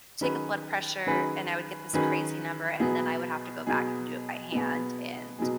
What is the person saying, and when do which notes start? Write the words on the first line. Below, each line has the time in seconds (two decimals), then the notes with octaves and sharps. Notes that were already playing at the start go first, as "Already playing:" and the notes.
take a blood pressure and I would get this crazy number, and then I would have to go back and do it by hand, and
0.21 D#3 F#3 C#4 G#4 B4
1.07 D#3 F#3 C#4 G#4 B4
1.93 D#3 F#3 C#4 G#4 B4
2.80 B2 F#3 B3 G#4
3.66 B2 F#3 B3 G#4
4.52 B2 F#3 B3 G#4
5.38 B2 F#3 B3 G#4